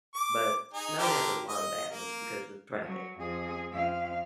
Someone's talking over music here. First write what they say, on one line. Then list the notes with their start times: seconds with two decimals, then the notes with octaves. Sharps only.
but snow has a lot of bad ones because of traffic,
0.15 D6
0.73 D#4 G#4
0.98 D3 G4 A#4
1.49 D#5
1.91 A#3
2.85 F#3
3.20 F2 G#4
3.72 F2 F5